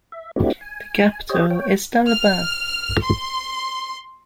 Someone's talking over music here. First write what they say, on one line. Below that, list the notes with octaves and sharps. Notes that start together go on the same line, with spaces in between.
The capital is Dalaba.
E5
A3 C4 D4 E4 F#4 G4
G#5
G4 C5 C#5 D#5
C#5 G5
F6
C6